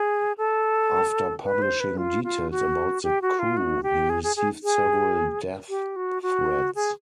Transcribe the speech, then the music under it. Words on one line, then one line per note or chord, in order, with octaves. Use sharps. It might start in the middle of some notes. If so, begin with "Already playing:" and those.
After publishing details about the coup, he received several death threats.
Already playing: G#4
A4
B4
C5
B4
F4
F4
F#4
G4
F#4
F4
F#4
G4
G#4
G#4
G#4
G#4
G4
F#4
F#4
G#4